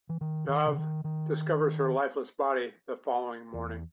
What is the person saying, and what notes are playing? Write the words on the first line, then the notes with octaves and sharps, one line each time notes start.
Dov discovers her lifeless body the following morning.
E3
D#3
D#3
C#3
D#3
D#3
E2